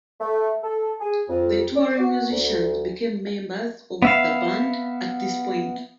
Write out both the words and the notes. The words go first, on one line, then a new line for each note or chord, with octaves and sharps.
The touring musicians became members of the band at this point.
A3
A4
G#4
F2
D5
F#4
D2
B3 E5 F5